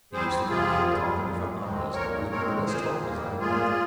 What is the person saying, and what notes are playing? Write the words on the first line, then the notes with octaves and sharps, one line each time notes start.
He used to come here and talk to me for hours, and he was one of the best talkers I have met.
G3 C4 G#4 C5
C3 F4 G#4
G3 C4
A#2
G#3 C4
A#2 A#4 C#5
G#3 C4 A#4 C#5
A#2 G#4 C5
G3 A#3
A#2 F4 G#4